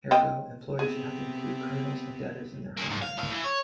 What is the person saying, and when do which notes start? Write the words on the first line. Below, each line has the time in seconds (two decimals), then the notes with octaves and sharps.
Ergo, employers should have to include criminals and debtors in their hiring.
0.11 C4 D#5 G5
0.79 C3 B3 C4 G#4
2.77 A#3 C#4
2.90 G#2
3.02 F5
3.17 A2 F5
3.31 E3
3.44 C#5